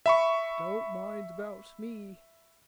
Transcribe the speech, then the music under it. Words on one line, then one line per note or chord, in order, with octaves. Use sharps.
Don't mind about me.
E5 B5 C#6